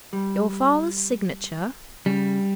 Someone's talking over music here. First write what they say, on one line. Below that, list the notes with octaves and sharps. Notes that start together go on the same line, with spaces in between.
"Your father's signature?"
G3
C#3 G3